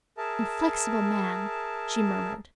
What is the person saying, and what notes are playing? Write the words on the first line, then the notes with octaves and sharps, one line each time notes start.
"Inflexible man!" she murmured.
G#4 A#4 E5 A5